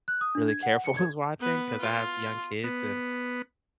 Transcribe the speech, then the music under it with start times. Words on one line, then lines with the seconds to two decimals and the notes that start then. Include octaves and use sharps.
really careful with watching 'cause I have young kids, and
0.08 F#6
0.21 D#6
0.35 D4
0.48 G#6
0.63 F#5
0.85 C#7
0.97 G#6
1.40 B3 B4
1.80 F4
2.64 B3